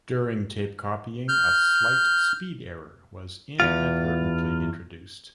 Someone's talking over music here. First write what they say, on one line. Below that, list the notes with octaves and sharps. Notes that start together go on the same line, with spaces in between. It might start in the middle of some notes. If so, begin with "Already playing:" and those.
During tape copying a slight speed error was inadvertently introduced.
F6 G6
E2 G#2 F4